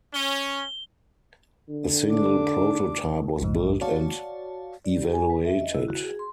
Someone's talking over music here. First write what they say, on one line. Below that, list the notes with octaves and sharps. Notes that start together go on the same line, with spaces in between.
A single prototype was built and evaluated.
C#4 G7
D3
D4 D6
A#1 F2 G#2
F#4 C#5 D5 F5 A5
D5
G4
G#5
B4
E5
D#5
E4
F#4
G#4
C6